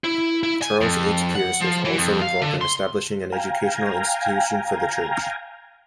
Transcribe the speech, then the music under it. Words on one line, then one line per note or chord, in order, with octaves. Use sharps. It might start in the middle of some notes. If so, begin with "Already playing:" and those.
Charles H. Pearce was also involved in establishing an educational institution for the church.
E4
E4
G#5
F2
F#5
F3
E3
F2
F5
D3
C6
F5 G5 G#5 A#5